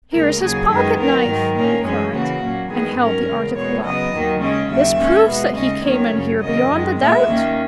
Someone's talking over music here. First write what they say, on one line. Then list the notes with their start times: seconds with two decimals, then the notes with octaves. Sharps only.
"Here's his pocket-knife!" he cried, and held the article up. "This proves that he came in here beyond a doubt."
0.12 D#2 C#3 G#3 A#4
0.40 D#2 C#3 F#3 G#4
0.69 F#2 D#3 G#3 B3 G#4
0.98 D#2 D#3 F#3 A#4
1.27 G#2 D#3 F#3
1.55 A#2 A#3 C#4 A#4
1.84 F#2 E3 G#3 C#4 G#4
2.13 C#3 E3 A#3 F#4
2.40 A#2 F#3 A#3 C#4
2.69 E2 D#3 G#3 B3 G#4
2.98 G#2 F#3 C#4 A#4
3.27 E2 C#3 G#3
3.55 B2 G#3 B3 C#5
3.84 C#3 F#3 B3 D#5
4.12 D#2 D#3 F#3 A#3
4.41 C#3 G#3 C#4 D#5
4.69 D#2 C#3 F#3 E5
4.98 A#2 G#3 C#4
5.27 B2 G#3 B3
5.55 D#2 C#3 G#3 C#4 D#5
5.84 D#2 D#3 F#3 A#3 C#4 C#5
6.13 F#2 C#3 F#3
6.42 E2 C#3 F#3 A#3 D#5
6.70 F#2 D#3 G#3
6.98 A#2 G#3 B3 E5
7.27 D#2 D#3 A#3 C#4